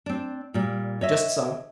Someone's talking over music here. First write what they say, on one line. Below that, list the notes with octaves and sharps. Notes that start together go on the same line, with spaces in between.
"Just so."
C4 D4
A#2 G3
C#5 D#5 E5